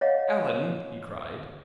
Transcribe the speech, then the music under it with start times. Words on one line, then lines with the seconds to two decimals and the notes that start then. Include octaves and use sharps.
"Alan!" he cried.
0.01 C#5 D#5 F5 F#5